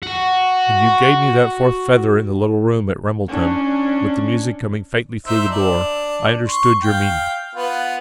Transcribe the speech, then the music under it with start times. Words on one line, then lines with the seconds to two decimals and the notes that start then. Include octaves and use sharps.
When you gave me that fourth feather in the little room at Ramelton, with the music coming faintly through the door, I understood your meaning.
0.03 F#4 F#5
3.28 C#4 D4
5.26 D#4 C5 E5
5.50 D4
6.47 C6 C#6
6.83 F5 G5
7.55 B3 F4 B4